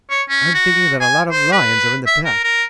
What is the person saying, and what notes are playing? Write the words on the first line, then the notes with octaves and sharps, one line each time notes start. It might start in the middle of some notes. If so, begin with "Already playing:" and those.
"I'm thinking that a lot of lions are in the path."
C#5
C#4
F#4
G#5
C5
B4
E5
A#4
A#4